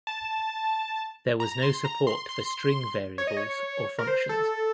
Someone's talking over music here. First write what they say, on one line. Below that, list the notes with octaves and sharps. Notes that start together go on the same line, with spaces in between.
There was no support for string variables or functions.
A5
A#5
A#5
C6
A#5
C6
C6
C#5
D#5
C#5
A#4
C5
A4